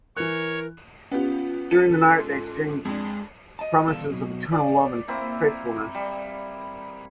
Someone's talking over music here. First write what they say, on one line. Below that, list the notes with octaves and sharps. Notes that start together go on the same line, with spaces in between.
During the night, they exchanged promises of eternal love and faithfulness.
E3 A#4 C#5 F#6
B3 C#4 F4 G4
A4 B6 C#7 D#7
G#2
F2 G#3 D4
D#5 A5
E2 G3 F4 A4 A5
B2 F#3
D5
A#3 C4 E4
G3